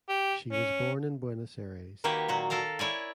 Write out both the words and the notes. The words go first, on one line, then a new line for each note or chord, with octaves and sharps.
She was born in Buenos Aires.
G4
C#4
D#3 A#3 F#4 G4 B4 C#5
A#2 F#3 F#4
A4 A#4 F5 A#5
E4 C#5 D5 G#5